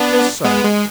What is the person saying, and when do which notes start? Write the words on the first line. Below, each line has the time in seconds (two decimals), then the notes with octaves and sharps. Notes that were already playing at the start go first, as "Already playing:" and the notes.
"Just so."
Already playing: B3 D4
0.44 G#3 B3
0.64 G#3